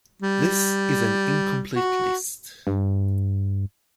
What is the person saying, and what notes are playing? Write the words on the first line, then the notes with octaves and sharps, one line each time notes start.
This is an incomplete list.
G3
F#4
G2